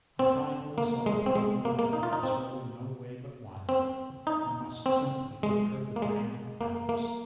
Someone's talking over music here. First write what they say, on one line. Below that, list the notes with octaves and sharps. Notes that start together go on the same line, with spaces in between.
I finally saw plainly that there was really no way but one--I must simply give her the grand bounce.
C4
A#3
G#3
C4
G#3
A#3
A#3
D#4
F4
D#4
C4
C4
D#4
C4
G#3
A#3
G#3
A#3
A#3